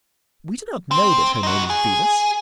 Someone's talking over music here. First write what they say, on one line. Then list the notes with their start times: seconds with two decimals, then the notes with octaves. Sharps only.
We do not know that her name is Venus.
0.91 C4
1.43 D#4 F#4
1.70 G#4